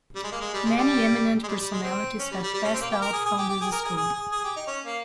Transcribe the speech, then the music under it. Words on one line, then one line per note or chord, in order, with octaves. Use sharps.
Many eminent personalities have passed out from this school.
G3
G#3
A#3
G#3
G3
G#3
G3
G#3
G3
G3
G#3
C4
C#4
G3
G3
G3
C#4
C4
A#3
G4
A#4
G#4
G#4
G4
G4
G#4
A#4
G#4
G#4
G#4
G#4
G4
D#4
C#4
A#3